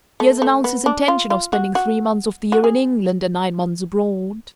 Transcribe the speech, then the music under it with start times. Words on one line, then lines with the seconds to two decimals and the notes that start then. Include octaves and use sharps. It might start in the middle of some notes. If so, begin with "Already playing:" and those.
He has announced his intention of spending three months of the year in England and nine months abroad.
0.20 A3
0.42 A3
0.64 B3
0.86 D4
1.08 F4
1.30 F4
1.53 F#4
1.75 F#4
2.52 F#4
2.64 G#4